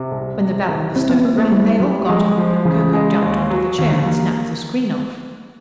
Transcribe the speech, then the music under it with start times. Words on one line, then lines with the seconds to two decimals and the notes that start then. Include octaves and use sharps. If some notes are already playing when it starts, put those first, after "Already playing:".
When the bell on the stove rang, they all got up, and Ko-Ko jumped onto the chair and snapped the screen off.
Already playing: C3
0.12 C2
0.40 C3
0.68 C2
0.96 C4 E4
1.10 B3
1.25 A#3 C4
1.38 A3
1.52 G3 E4
1.80 F#3 G3
2.09 F3 G#3
2.37 F3
2.65 C#3 E3
2.93 G#3
3.22 D#2
3.50 F#3
3.78 D#2 D#3
3.92 D3
4.06 E3 A#3